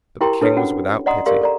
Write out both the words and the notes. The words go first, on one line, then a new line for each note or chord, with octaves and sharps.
But the King was without pity.
E4 G4 A#4 G5 A#5 C6
D4 E4 A4 B4 C#5
C#4 F#4 F#5
D5 D#5 F#5 A#5 C6 D#6
G4 A#4 D5 F5 C6
A4 D5 A#5